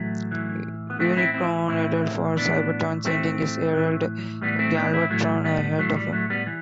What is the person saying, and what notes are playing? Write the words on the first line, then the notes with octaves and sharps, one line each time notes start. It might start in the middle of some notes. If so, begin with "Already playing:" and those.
Unicron headed for Cybertron sending his herald, Galvatron, ahead of him.
Already playing: A2 E3 F#3 A3
A2 E3
B3
A2 E3 A3 C4
C4 E4
C4 E4
A2 E3 C4 E4
A2 E3 B3 D4
A2 E3 A3 C4
A2 E3
A2 E3 G3 B3
A3 C4
B3 D4
C4 E4
A2 E3 F#3 A3
G3 B3
A2 E3 F#3 A3
G3
F#3 A3
G3 B3
E3